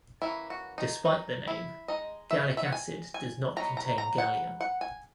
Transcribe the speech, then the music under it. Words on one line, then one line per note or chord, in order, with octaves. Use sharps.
Despite the name, gallic acid does not contain gallium.
E3 A#3 C#4 E4
F#4
D#4
D#4
E4
G#3 D#4 D#5
E5
E5
F#5
G#5
G#5
F#3 B3 D#4 A#5
A#5
A#5
F#5
F#5
G#5